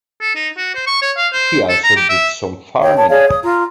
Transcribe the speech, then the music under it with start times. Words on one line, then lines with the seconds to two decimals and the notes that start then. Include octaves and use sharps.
He also did some farming.
0.21 A4
0.36 D#4
0.57 F#4
0.75 C5
0.87 C#6
1.02 C#5
1.17 F5
1.33 C5
1.69 A4
1.84 A#5
1.96 G4
2.09 E5
2.81 C#5 G5
2.97 C#5 A5
3.09 G#4 C#5 D5 F5
3.27 D#6
3.43 F4 A#5